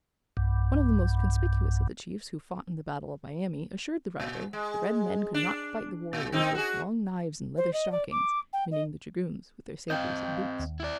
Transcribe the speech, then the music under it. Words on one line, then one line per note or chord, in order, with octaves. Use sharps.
One of the most conspicuous of the chiefs who fought in the battle of Miami assured the writer, that the red men could not fight the warriors with "long knives and leather stockings"; meaning the dragoons with their sabers and boots.
B1 G2
A#2
G#3
D4
A#2
D#3 C4 D#4
F#4 G#4
C5
D#5
D5
D6
G5
D#5
C4 D#5 F5 G5 G6
D#2
E4 D5